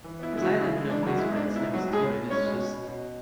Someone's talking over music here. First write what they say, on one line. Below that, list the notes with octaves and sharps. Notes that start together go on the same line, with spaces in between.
'Cause I live in a place where it snows too, and it's just
E3
B3 E4
G#3 E4
F#3 F#4
C#3
C#3 E4
G#3
E3 D4
F#2 F#4
G#3 E4
G#2 D4
B3
E4
G#2
F#3 F#4
A2
G#3 G#4
C#4
A2
G#3 C#4 C#5
B2
C#4
B2
B2